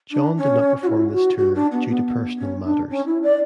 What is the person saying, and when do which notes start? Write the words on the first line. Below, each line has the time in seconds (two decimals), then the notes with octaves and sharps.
John did not perform this tour due to personal matters.
0.11 D4
0.37 C#4
0.82 F#4
0.87 E4
1.12 F#4
1.38 F#4
1.54 D4
1.71 B3
1.88 B3
2.38 C#4
2.64 D4
2.90 C#4
3.06 E4
3.23 D5